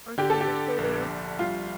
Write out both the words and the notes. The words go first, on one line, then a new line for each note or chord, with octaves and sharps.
our kids are still there
D3 G4
A4
G4
D3
A#1
A#1
G3 F4